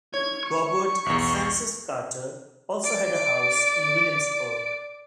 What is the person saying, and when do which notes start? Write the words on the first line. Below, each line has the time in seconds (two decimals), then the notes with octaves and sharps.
Robert and Frances Carter also had a house in Williamsburg.
0.14 C#5 G#6
0.45 C#6
1.06 B1 E2
2.83 D5 D7